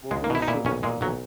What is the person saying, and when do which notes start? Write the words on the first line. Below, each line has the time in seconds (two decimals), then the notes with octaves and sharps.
Well, those are
0.11 C#2 G#3
0.24 A#3
0.30 B2 E4
0.42 D#4
0.48 A#2 E4
0.65 B1 C#4
0.83 A#2 G#3
1.01 B1 F#3